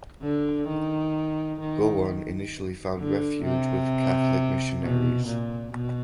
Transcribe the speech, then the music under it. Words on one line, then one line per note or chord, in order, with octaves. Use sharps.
Gowon initially found refuge with Catholic missionaries.
D3
D#3
D#3
D3
C3
B2
A#2
B2